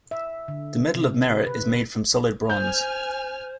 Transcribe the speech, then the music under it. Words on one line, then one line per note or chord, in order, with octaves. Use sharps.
The Medal of Merit is made from solid bronze.
E5
D3
C3
B4
C5 G#5 F6 G6